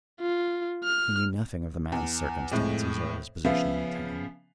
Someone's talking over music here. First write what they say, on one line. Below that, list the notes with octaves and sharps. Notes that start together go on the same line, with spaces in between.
He knew nothing of the man's circumstances or of his position in the town.
F4
F6
E2
F2 A2 G#3
C#3 F3 B3 E5 F5